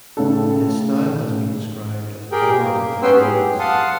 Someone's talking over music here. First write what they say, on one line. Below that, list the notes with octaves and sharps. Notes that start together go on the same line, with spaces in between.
His style has been described as borrowing from Minimalism.
A2 C#3 A4
G4 G#4 A#4 G5
A#3
B3 C#4 B4 G5 C6 E6
G4 G#4
F5 F#5 A5 C6 D#6